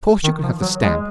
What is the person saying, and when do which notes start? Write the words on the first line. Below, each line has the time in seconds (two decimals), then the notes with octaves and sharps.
'Of course, you can have the stamp.
0.24 D#3
0.43 F3
0.62 F#3
0.81 G#3